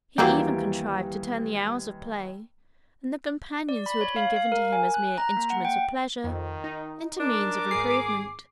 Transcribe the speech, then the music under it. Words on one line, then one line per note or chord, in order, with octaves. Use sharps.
He even contrived to turn the hours of play, and the companions who had been given to him as mere instruments of pleasure, into means of improvement.
D#2 E3 F#3 G3 A#3 G4
D5
B5
C#5
F5
F5
A#4
G#5
F#6
A#5
A#3
F#5
G5
F2 D#3
D#4
D4 A#4 D6
G#1 G#4 C7